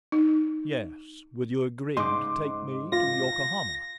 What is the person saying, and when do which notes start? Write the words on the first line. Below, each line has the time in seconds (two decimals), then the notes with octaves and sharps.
"Yes, will you agree to take me to Yokohama?"
0.12 D#4
1.97 G#2 C#3 D#5 C6 D6
2.92 F4 A#6